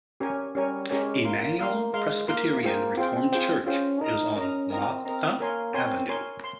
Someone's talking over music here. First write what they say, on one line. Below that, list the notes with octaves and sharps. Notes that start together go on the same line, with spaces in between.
Emmanuel Presbyterian Reformed Church is on Martha Avenue.
C#4 G4 A#4 C#5 G#5
G3 C#4 G4 A#4 C#5 G#5
G#3 C#4 G4 A#4 C#5 G#5
A#3 A#4 F5 C6
A#3 A#4 F5 C6
G#3 A#4 F5 C6
A#3 A#4 F5 C6
A#3 F4 G#4 C5 G5
C4 F4 G#4 C5 G5
F4 G#4 C5 G5
C#4 F4 G#4 C5 G5
D#4 A#4 D#5 A#5
C#4 A#4 D#5 A#5
C4 A#4 D#5 A#5
C4 A#4 D#5 A#5
A#3 A#4 C#5 G#5 C6
C4 A#4 C#5 G#5 C6
A#4 C#5 G#5 C6
C6